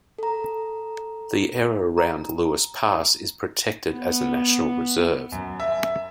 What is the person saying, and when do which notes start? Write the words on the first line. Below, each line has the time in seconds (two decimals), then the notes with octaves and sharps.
The area around Lewis Pass is protected as a national reserve.
0.18 A4 A#5
1.97 A#5
3.92 B3
5.32 F#2
5.60 E5